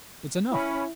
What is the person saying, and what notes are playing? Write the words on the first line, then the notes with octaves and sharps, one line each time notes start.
It's enough.
C#4 E4 B5